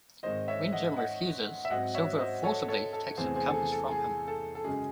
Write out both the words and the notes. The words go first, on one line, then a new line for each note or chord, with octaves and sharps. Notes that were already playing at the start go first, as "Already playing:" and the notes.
When Jim refuses, Silver forcibly takes the compass from him.
G#2 D#3 G#3 C4 C5 D#5
C#5 E5
D#5 F#5
D#5 F#5
E5
G#2 F#3 C4 D#5 F#5
C#5 E5
C5 D#5
A4 C#5
A4 C#5
A4
E2 C3 E3 A3 C4 G#4 C5
G#4 C5
A4
G#4
A4
G#4
A4
A4
F#2 C#3 G#3 C#4 G#4